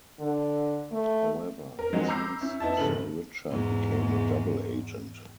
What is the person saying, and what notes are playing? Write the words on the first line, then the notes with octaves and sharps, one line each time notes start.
However, it seems Sir Richard became a double agent.
D3
A3
A#4
F#3 G#3 C4 F#4
A#5 B5 D6 E6 G6 C7
C#4 E4
B3 D#4 E4 A5
F1 G#2 C#3 A4 F#7
E2 G#2